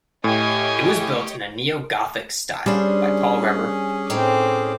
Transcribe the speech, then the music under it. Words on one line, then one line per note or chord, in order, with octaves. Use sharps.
It was built in a neo-Gothic style by Paul Reber.
A2 G4 C#5 D#5 G#5
G3 C#4 D4 G#4 C5
A2 C4 D#4 G5 D6